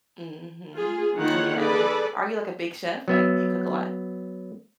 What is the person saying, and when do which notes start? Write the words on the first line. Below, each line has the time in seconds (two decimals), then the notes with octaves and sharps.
Mhm, yeah. Are you, like, a big chef? Like, do you cook a lot?
0.75 F4 G#4
1.16 D#3 A#3 E4 F4 C#5 F#5
1.56 G#4 A4 B4 D5
3.08 F#3 B3 E5